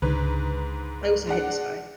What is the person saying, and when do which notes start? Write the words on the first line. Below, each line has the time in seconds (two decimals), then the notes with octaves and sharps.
I also hate this guy.
0.02 C#2 G#2 D3 B4
1.27 G#3 D4 F#5